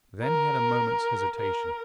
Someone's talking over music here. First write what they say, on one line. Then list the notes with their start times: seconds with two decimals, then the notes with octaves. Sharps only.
Then he had a moment's hesitation.
0.23 A#4
1.39 A#4